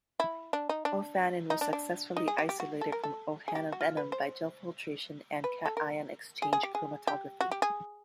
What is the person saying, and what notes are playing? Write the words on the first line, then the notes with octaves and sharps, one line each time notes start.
Ophanin was successfully isolated from "O. Hannah" venom by gel filtration and cation-exchange chromatography.
E4
D4
D#4
D4
D#4
D4
D4
D#4
G#4
G4
G4
F#4
A4
A#4
A4
G#4
G4
F#4
F4
B4
C5
B4
A4
A#4
G#4
G#4
G4
G#4
G4
F#4
G4
G#4